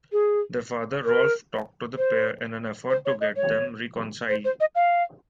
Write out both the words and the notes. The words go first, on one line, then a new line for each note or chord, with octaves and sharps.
Their father, Rolf talked to the pair in an effort to get them reconciled.
G#4
A#4
C5
C5
C#5
D#5
C#5
C5
C5
D#5
F5